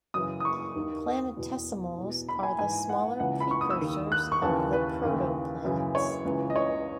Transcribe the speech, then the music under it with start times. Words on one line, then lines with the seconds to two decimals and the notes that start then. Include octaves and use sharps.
Planetesimals are the smaller precursors of the protoplanets.
0.14 F#2 C#3 E3 D#6
0.40 D#6
0.45 C#6
0.75 D#2 D#3
1.36 E2 B2
1.98 E2 B2
2.29 B5
2.43 G#5
2.59 G#2 E3 G#5
2.89 F#5
3.20 C#2 C#3 E3 F#5
3.40 B5
3.51 C#6
3.61 D#6
3.70 E6
3.81 D#2 D#3
4.12 F#6
4.32 C#6
4.42 D#2 C#3 E3 A5
4.73 B4
5.03 D#2 C#3 E3
5.64 F#2 C#3 E3
5.95 C#5
6.25 C#2 C#3 E3
6.50 D#5
6.56 C#5